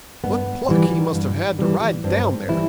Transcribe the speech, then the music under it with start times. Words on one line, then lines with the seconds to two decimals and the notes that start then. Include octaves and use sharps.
What pluck he must have had to ride down there!'
0.24 G2 B3
0.69 E3 G3
1.14 G2
1.59 E3 G3
2.04 G2 C4
2.48 E3 G3 E4